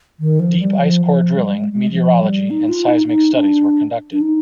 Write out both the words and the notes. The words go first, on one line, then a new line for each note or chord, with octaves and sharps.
Deep ice core drilling, meteorology and seismic studies were conducted.
D#3
F3
G3
F3
F3
G3
G#3
G#3
F3
G3
D#4
F4
D#4
D#4
D4
D4
D#4